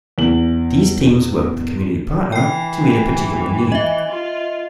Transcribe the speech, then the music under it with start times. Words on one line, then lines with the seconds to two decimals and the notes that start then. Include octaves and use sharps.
These teams work with a community partner to meet a particular need.
0.18 E2 F#7
2.32 E3 G5 C7
3.72 D#5 E5
4.09 F4